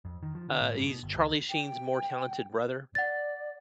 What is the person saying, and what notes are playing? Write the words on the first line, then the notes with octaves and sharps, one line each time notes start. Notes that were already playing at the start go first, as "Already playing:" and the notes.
uh, he's Charlie Sheen's more talented brother.
F2
D#3
F3
D3
A2
G2
B2
G1
C#2
G5
D5 F#5 A6